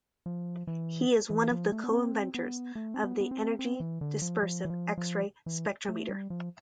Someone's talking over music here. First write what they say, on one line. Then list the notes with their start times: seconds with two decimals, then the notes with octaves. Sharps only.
He is one of the co-inventors of the Energy dispersive X-ray spectrometer.
0.26 F3
0.67 E3
1.30 E3
1.51 F3
1.72 A3
1.84 B3
1.92 C4
2.34 B3
2.75 A3
2.94 C4
3.04 B3
3.20 B3
3.31 C4
3.59 C4
3.80 E3
4.01 D3
4.22 F3
4.43 F3
4.65 E3
4.70 F3
4.98 F3
5.46 E3
5.89 A3
6.09 G3
6.30 F3